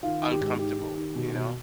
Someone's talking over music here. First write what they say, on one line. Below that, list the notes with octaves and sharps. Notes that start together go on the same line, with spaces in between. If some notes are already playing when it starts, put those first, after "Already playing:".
uncomfortable, you know?
D#3 F4
D#3
G4
G#2
D#3 G4
D#3
D#3
B2
B2